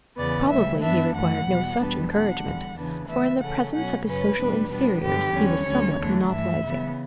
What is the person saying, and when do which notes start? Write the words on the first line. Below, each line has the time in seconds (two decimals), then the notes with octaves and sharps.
Probably he required no such encouragement, for in the presence of his social inferiors he was somewhat monopolizing.
0.17 E2 C#3 E3 B3 D5
0.49 D2 C#3 G3 E5
0.81 G2 E3 B3 D4 E5
1.14 F#2 E3 A3 F#5
1.46 E2 B2 G3
1.79 E2 B2 G3 B3 D4
2.11 B2 G3 D4 F#5
2.44 E2 D3 G3
2.75 E2 C#3 E3 B3 D4
3.08 D2 C#3 E3 B3 E5
3.40 C#3 E3 A3 C#4 F#5
3.72 B2 F#3 C#4 F#5
4.05 F#2 C#3 F#3 C#4 B4
4.36 E2 B2 G3 B3 D4
4.69 B2 G3 B3 D4
5.01 G2 D3 F#3 B3 G4
5.33 E2 D3 G3 C#4 C#5
5.67 D2 D3 F#3 C#4
5.98 E2 D3 A3 D4
6.30 G2 E3 A3 E5
6.63 C#3 E3 B3